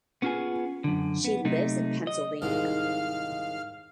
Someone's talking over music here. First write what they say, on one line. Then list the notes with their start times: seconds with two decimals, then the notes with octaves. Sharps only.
She lives in Pennsylvania.
0.22 B3 C#4 F4 G4 G#4 G#5
0.84 F#2 D3
1.25 B3
1.45 C3 F#3 A3 D#4
2.07 D#5
2.42 C2 G#2 D#3 F5 F6